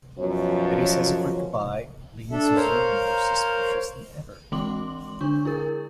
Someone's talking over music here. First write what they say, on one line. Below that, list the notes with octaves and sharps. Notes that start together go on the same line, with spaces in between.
Betty says a quick goodbye, leaving Susan more suspicious than ever.
F#2 B2 F3 C#5
D4 A4 E5
A#4 C5 C#5 F5
E3 G#3 C4 C6 D6 F#7
D3 D4 C#6 G6
E4 G#4 A#4